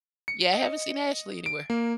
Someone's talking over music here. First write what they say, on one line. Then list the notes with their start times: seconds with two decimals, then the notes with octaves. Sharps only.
Yeah, I haven't seen Ashley anywhere.
0.28 C#7
0.54 D#5
1.46 D7
1.70 A#3